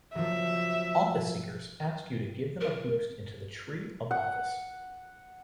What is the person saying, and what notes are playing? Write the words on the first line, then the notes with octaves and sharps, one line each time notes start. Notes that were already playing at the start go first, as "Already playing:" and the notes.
Office-seekers ask you to give them a boost into the tree of office.
F3 F#3 E5
A#4
F#5